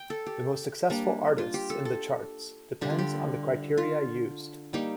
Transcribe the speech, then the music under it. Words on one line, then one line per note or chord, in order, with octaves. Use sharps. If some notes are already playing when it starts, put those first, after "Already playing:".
The most successful artists in the charts depends on the criteria used.
Already playing: G5
A4
G4
G3 A#3 D4
F4
G4
A4
A4
D3 G3 D4 G4
F4
G4
F4
G3 A#3 D#4 G4